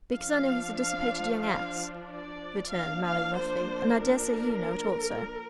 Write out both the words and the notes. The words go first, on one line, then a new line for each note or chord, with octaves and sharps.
"Because I know he's a dissipated young ass," returned Mallow roughly; "and I daresay you know it also."
F3 D4 F5
F5
F5
D5
F3 A#3 D4 F5
F5
C5
A#4